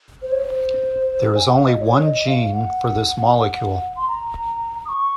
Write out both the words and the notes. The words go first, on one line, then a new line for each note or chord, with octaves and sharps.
There is only one gene for this molecule.
C5
C#5
C5
G#5
F#5
F5
D#5
D#5
C#5
D#5
F5
F#5
C6
A#5
D#6
C#6